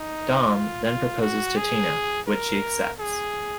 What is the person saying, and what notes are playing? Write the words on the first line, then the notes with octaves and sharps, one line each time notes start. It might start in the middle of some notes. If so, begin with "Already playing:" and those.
Dom then proposes to Tina, which she accepts.
Already playing: D#4
F4
F4
F#4
G#4
A#4
G#4